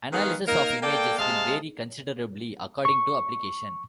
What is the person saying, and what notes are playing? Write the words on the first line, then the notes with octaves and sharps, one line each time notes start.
Analysis of images will vary considerably according to application.
D#3 G#3 B3 G#4 F5
A#3 D#4 A#4
A#3 A4 D5 G5
C3 G#3 D#5 F5 A5
C#6